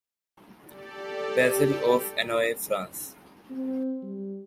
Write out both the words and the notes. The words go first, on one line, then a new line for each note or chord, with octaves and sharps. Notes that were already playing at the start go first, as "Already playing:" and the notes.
Basil of Annonay, France.
G4 A4 D5
C4
G3